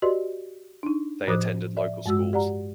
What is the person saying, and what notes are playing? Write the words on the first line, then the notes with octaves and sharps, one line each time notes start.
They attended local schools.
F#4 G4 B4 D5 D#5 C6
D4 D#4
A2 F3 C5 D6 D#6 F#6
D5 E5
G2 G#3 F#4 E6
G4 D5 F#5 A#5